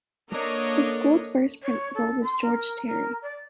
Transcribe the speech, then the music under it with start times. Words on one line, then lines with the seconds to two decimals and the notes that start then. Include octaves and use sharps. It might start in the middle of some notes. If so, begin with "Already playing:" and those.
The school's first principal was George Terry.
0.31 A#3 D4 A4 C#5 D#5 A#5
1.63 C#5
1.94 A4
2.23 C6
2.42 A#4
2.86 A#4
3.22 D5